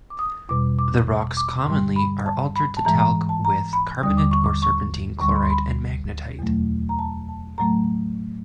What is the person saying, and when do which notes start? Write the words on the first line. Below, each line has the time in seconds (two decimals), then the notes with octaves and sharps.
The rocks commonly are altered to talc with carbonate or serpentine, chlorite, and magnetite.
0.10 D6
0.19 D#6
0.49 E2 B2 G3 D6
0.79 D6
1.08 D6
1.37 D6
1.67 G2 D3 G3 C6
1.96 B5
2.26 A5
2.56 B5
2.77 A5
2.85 G#2 E3 G#3 A#5
3.00 A#5
3.29 A5
3.45 A#5
3.73 B5
4.03 D#2 D3 G3 D#6
4.17 D6
4.31 C#6
4.44 D6
4.62 C#6
5.21 D2 D3 G3 C#6
5.29 C6
5.36 B5
5.43 C6
5.50 B5
6.39 E2 B2 F#3 A3
6.89 A#5
6.99 A5
7.29 A5
7.58 A2 F#3 A3 A#5